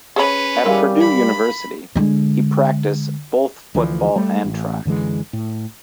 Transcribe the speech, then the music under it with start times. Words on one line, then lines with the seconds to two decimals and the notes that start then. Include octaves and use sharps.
At Purdue University he practice both football and track.
0.16 C#4 G#4 B4 C#5 B5
0.65 D#3 E3 G3 G#3 A#4 F5
1.00 B5
1.95 D3 G#3
3.75 D2 E3 F3
4.16 G3 A3
4.45 A1
4.85 F#2 D3 E3 G#3
5.33 A2